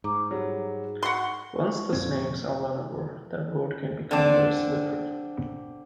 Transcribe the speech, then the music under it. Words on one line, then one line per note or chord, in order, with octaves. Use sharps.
Once the snakes are run over, the road can become very slippery.
G#2 A#5 D6
F#3 G3 G#4
F#4 F#5 C6 C#6
F2 A#2 C4 G#6
D3 C4 D4